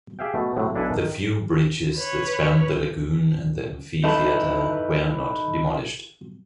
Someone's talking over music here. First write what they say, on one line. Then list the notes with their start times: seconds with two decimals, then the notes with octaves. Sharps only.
The few bridges that spanned the lagoon and the amphitheater were not demolished.
0.19 G4 G#4 E5 F5 G5
0.34 B2 A3
0.56 A2 C3 F#3
0.75 B1 D4 E4 A4 B4 G#5
0.91 D#3
1.96 B4 C#5
4.04 D#4 E4 A4 B4